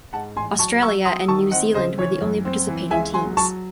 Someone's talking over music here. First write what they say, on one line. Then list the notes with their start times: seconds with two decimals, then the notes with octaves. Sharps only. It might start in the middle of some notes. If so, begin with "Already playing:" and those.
Australia and New Zealand were the only participating teams.
0.13 G#2 F#5 A5
0.36 A1 G#5 C6
0.59 F#3 A5 C#6
0.82 F#3 C#6 E6
1.05 F#3 C6 D#6
1.28 D#3 A5 C#6
1.51 C4 D#5 F#5
1.74 C#3 C5 D#5
1.98 E3 C#5
2.21 F#2
2.45 C4
2.68 E3
2.90 C#2 E5 G#5
3.14 F#3 G#5 C6
3.37 F#3 A5 C#6